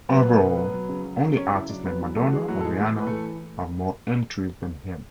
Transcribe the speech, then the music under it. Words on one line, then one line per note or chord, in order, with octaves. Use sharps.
Overall, only artists like Madonna or Rihanna have more entries than him.
F#3 B3 B4
B2
B2
F#3
F#3
C#3
F#3
F#3
C#3 C#4 C#5
C#3 E4 E5
F#3 D4 D5
F#3 B3 B4
E3 B3 B4
E3 A3 A4
F#4
E3 G#3 G#4
A2 F#3 F#4
A4
E3 G#3 G#4
A2
E3 B4
A3 A4
E3